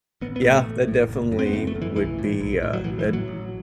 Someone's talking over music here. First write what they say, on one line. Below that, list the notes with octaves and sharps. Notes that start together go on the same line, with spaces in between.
Yeah, that definitely would be, uh, tha
A1 B3
B3
A2
A3
A1
A2
F#1
F#2
C4
B3
F#1 A3
A3
F#2
E3
B1 E3
A2
B1
A2
F#3
A1 E3
E3
A2
F#3
A1